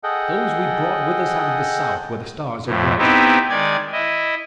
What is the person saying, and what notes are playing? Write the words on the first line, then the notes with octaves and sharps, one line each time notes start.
Those we brought with us out of the south where the stars are brighter.
G#4 A4 D#5 F#5 G5
F2 A2
B3 C4 D#4 E4 G4
D#3 G#3 D5 G#6
E4 D#5